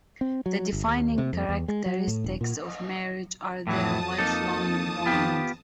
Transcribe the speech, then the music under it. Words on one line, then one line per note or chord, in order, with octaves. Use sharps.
The defining characteristics of marriage are their lifelong bond.
C4
F#3
G1
D#2
C3
F2
E2
G#3
F#3
A2
E1
A#2
F2 A2 E3 F#3 A5 D#6
A#3 D#4 A4
B3 F4 G4